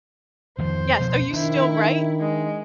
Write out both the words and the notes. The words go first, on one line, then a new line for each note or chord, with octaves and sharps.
Yes, so you still write?
F2 D#3 F3 C5
B2 F3
D#3 D4 E4
G#3